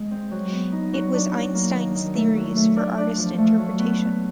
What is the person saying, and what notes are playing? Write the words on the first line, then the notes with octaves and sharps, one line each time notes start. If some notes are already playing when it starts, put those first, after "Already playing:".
It was Einstein theories for artist interpretation.
Already playing: G#3
C4
F#3
B3
D#4
F#3
D4
F#3
A#3
D#3
D#3
A3
F#3
A3
D4
D4
F3
A3
F#3
B3
B3